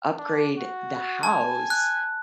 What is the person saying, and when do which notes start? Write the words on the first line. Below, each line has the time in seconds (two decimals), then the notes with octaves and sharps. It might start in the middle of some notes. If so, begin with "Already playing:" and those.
upgrade the house,
0.18 D4
0.57 F#4
1.23 G#5 A5
1.70 F#6